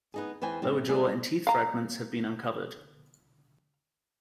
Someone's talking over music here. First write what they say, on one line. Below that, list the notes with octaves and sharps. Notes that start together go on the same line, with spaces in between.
Lower jaw and teeth fragments have been uncovered.
B3 D#4 G#4
E2 E3 C5 G5 G#5
F#2 A2 C4
G3 A#3 B3 G#4
F5 A#5